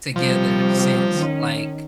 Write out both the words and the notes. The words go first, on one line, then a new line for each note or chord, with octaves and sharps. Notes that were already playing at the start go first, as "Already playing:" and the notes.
together since, like,
C3 F3 G3
D#3 C#4